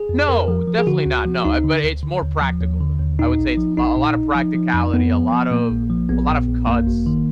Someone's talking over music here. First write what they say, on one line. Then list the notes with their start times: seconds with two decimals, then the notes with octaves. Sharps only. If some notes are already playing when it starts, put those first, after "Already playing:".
No, definitely not, no, uh, but it's more practical though. I would say it's lo lotta practicality, a lot of a lot of cuts
Already playing: G#4
0.09 F2
0.29 F2 A#4
0.48 F3
0.67 F3
0.78 G#4
0.87 D3 F#4
1.06 D2
1.25 F3
1.45 D2 D#4
1.64 D3
1.84 D2
2.03 D3
2.22 D#2
2.42 F3
2.61 D#2
2.80 D3
2.99 D#2
3.19 A#2 D#4
3.38 A#1
3.58 F3
3.77 A#1 D#4
3.96 A#2
4.16 A#1
4.35 F3
4.55 F3
4.74 F2
4.93 F2 B3
5.13 F3
5.32 F3
5.51 A#2 A#3
5.71 A#1
5.90 F3
6.09 A#1 B3
6.29 A#2
6.48 A#1
6.67 F#2 A#3
6.87 G#1
7.06 D#3